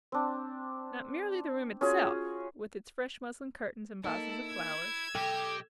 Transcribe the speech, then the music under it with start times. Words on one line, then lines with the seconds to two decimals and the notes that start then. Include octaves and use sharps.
Not merely the room itself, with its fresh muslin curtains and vases of flowers.
0.12 C4 D4
1.81 C#4 F4 F#4 G#4
4.04 A#3 D#4 E4 A4
4.47 E6 G#6
5.15 B1 G4 A4 D#5 G5